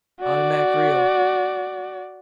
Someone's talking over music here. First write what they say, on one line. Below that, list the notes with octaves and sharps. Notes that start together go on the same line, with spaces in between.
Automatic reel.
F#4 D5